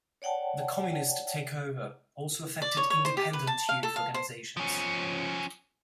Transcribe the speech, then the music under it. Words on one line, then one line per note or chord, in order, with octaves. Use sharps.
The communist takeover also affected independent youth organisations.
C#5 D5 F#5 G5 A5
D5
C#5
C#5
C5
G4
B4
A5
F5
A4
F5
C5
F3 C#4